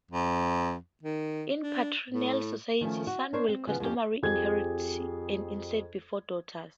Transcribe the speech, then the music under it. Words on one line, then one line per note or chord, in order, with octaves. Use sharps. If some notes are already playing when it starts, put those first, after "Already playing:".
In patrilineal societies, sons will customarily inherit an estate before daughters.
F2
D#3
D4
A2
D#3 F3 A3 C#4
F#4
D4 A#4 C5 C#5
C4
C#3 F3 B3
F2 A#3 C#4 G4
F2 G4 G#4 G#6